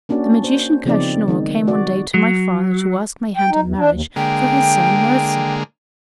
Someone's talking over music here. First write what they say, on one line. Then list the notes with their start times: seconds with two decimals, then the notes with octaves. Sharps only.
The magician, Kaschnur, came one day to my father, to ask my hand in marriage for his son Mirza.
0.09 A#3 C#4 D4 F#4 D5
0.44 C5
0.85 C#3 F3 B3 C4 D#4 D5
1.28 D#3 G#3 D#4
1.67 F#4 D5
2.14 F#3
3.37 G5
3.50 D#4
3.64 E2
3.78 D4
3.91 D#2
4.16 D3 G#3 A#3 G5